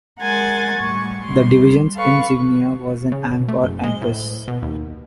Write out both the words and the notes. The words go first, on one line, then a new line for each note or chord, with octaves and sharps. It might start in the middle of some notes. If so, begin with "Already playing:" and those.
The division's insignia was an ankh or ankhus.
G#3 A#4 F#5 G#5 C6 A6
A2 G3 C#6
G3 C6
A4 B4 F5 C#6
C#3
B2
A3
F#1
G#3
A2
B2
D#2